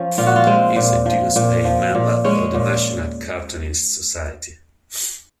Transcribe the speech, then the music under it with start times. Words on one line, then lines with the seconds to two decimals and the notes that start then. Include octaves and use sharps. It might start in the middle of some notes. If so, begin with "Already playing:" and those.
He is a dues-paying member of the National Cartoonists Society.
Already playing: F3 C#4
0.18 A#2 F4
0.27 F#4
0.36 F4
0.47 G#3 C4
0.76 A#2
1.06 F3
1.36 A#2
1.65 F3
1.95 A#2
2.24 G#3 C#4
2.54 A#2